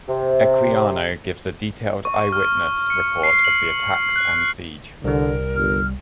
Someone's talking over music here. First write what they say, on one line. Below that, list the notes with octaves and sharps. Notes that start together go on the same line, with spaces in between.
Equiano gives a detailed eyewitness report of the attacks and siege.
C3
C#6
F6
F6
C#7
C7
F#7
F#6
C2 D3 G3 A#4
G1 F6